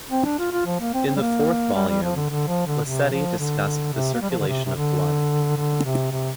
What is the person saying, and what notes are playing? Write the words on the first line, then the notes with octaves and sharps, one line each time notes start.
In the fourth volume, Liceti discussed the circulation of blood.
C4
D4
F4
F4
F3
A#3
C4
C4
G3
A#3
G3
G3
F3
D3
D3
F3
D3
C3
F3
D3
C3
A#3
G3
F3
D3
C3
C3
D3
D3
C3
C3